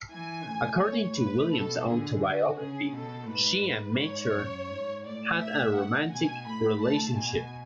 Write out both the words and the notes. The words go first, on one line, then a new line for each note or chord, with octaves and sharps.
According to William's autobiography, she and Mature had a romantic relationship.
E3 G#5
A2
C#5
B4
B2 A4
D3 G#4
F#4
C#3 G#4
B2 A4
G#2 B4
G#2
C#5
F#2
G#2
A2 D5
E5
F#5
B2 G#5
A2 B5
A5
B2 G#5